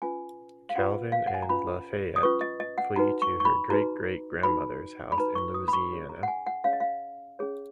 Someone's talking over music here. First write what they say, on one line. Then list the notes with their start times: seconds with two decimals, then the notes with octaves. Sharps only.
Calvin and LaFayette flee to her great-great-grandmother's house in Louisiana.
0.02 C#4 F4 B4 G#5
0.70 F5
0.76 C#4 F4 B4 F#5
1.12 F5
1.27 F#5
1.34 G#5
1.42 A#5
1.49 C#4 F4 B4 B5
2.16 D#6
2.23 C#4 F4 B4 C#6
2.41 D#5
2.60 D#5
2.78 F#5
2.96 D#4 F#4 B4 A#5
3.22 C#6
3.40 C#6
3.45 B5
3.70 D#4 F#4 B4 A#5
4.43 D#4 F#4 B4 B5
5.12 B5
5.18 D#4 F#4 B4 A#5
5.35 C#6
5.54 D#6
5.68 B5
5.73 C#6
5.92 C#4 G#4 C#5
6.09 A#5
6.23 F#5
6.28 G#5
6.47 F#5
6.64 C#4 G#4 C#5 F5
6.73 D#5
6.80 F5
7.39 C#4 G#4 C#5